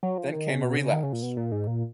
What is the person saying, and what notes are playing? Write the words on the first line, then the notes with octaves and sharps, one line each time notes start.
Then came a relapse.
F#3
F3
D#3
C#3
B2
C#3
D#3
C#3
A#2
B2
A#2
G#2
A#2